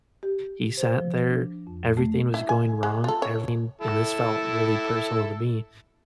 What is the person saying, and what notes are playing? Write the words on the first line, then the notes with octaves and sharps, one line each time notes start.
he sat there, everything was going wrong, everything and this felt really personal to me,
G4
C5
F3
D4
F2
A3
E4
G#5
G#3
F4 A4
C#5
E4 A4